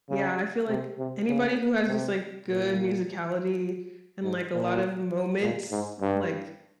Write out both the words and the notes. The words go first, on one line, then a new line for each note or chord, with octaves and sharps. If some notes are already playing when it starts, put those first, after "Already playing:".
Yeah, I feel like anybody who has just, like, good musicality and, like, a lot of moments, like
C#3
C3
C3
C#3
C3
A#2
G#2
A#2
A#2
G#2
G2